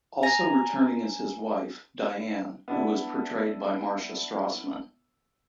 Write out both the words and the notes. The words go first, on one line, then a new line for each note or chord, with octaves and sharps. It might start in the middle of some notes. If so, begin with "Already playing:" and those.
Also returning is his wife, Diane, who is portrayed by Marcia Strassman.
G#5 A#5
B3 D4 E4